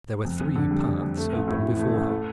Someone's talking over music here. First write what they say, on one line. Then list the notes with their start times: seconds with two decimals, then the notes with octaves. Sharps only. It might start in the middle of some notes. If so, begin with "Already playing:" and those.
There were three paths open before her.
0.25 F2
0.40 F2
0.56 D3
0.71 G3
0.86 F2
1.02 F2
1.17 A3
1.33 A1
1.48 A2
1.63 E3
1.79 A3
1.94 A1
2.10 A3